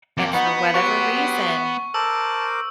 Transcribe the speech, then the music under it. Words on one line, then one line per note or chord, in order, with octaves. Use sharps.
and for whatever reason,
F2 A#3 D6
B3 D#4 F#4 B4 F#5
F#3 G4 F#5 C6 C#6
A#4 C5 A5 D6 E6